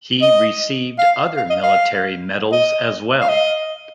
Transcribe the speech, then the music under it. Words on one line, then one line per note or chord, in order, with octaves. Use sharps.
He received other military medals as well.
D#5
F5
F5
D#5
F5
D#5
F5
D#5